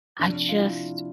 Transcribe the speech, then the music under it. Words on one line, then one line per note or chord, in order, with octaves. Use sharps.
I just,
C3 F3 D4
F4
E4